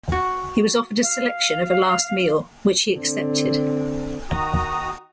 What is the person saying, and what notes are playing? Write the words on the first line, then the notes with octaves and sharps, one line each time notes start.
He was offered a selection of a last meal, which he accepted.
F#4
F5
D3 C4
D#3 F#4 A#5 D#6